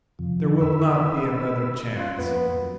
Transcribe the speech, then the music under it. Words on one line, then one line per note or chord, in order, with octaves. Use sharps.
There will not be another chance.
F2 C3 F3
B5 E6
C#4 F4 C6 F#6
F2 A#3 B3 B4
F#3